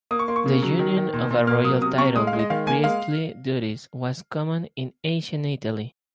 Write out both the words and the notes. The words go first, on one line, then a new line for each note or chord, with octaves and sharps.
The union of a royal title with priestly duties was common in ancient Italy.
A#3 D#6
C#6
A#3 C6
C#6
C#3
F#3
D#3
D#3
A#2
A#2
A#3 F6
F#3 D#6
C3 D#6
C3 C#6
G#3 D#6
F5
G#3
D#5
D#3 F5
A#3 G#5
G#3 F5